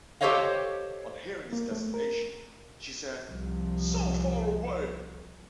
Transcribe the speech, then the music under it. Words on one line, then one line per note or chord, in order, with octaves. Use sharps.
Then, on hearing his destination, she said, "So far away!"
G4 A4 C5 C#5 D#5 F5
A#3
A3
A#4
C2 F3